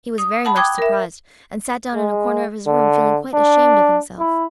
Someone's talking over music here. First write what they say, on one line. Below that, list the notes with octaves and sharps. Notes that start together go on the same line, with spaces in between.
He was very much surprised, and sat down in a corner of his room feeling quite ashamed of himself.
D#6
F#5 A5 B5
G5 D6 D#6 F#6 G#6
A#4 E5
G#3
D3
D4
E4